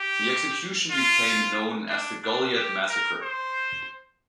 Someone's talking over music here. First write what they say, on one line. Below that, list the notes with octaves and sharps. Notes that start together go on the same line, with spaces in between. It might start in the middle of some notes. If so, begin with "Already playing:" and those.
The execution became known as the Goliad Massacre.
Already playing: G4
F4
D4
D4
G4
A#4
C5